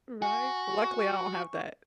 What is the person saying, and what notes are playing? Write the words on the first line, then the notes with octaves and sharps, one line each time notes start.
Right. Luckily, I don't have that.
F#4 G#5 C#6